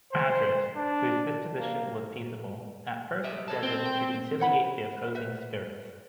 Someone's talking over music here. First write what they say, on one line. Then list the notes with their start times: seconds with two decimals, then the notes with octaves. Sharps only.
Adret, whose disposition was peaceable, at first endeavored to conciliate the opposing spirits.
0.12 C5
0.76 D4
1.59 A#3
3.24 G4 D#5 E5
3.48 A4 C#5 A5
3.63 C4
3.85 G5
4.39 C5 C#5 F#5 B5
5.15 B4 C5 E5